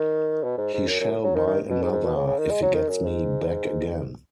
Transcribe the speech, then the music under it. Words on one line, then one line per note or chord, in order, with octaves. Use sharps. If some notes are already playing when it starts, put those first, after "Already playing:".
He shall buy another, if he gets me back again.
Already playing: D#3
B2
G#2
G#2
F#2
F#2
F#3
D#3
D#3
B2
G#2
G#2
B2
C#3
C#3
D#3
G#3
F#3
D#3
F#2
G#2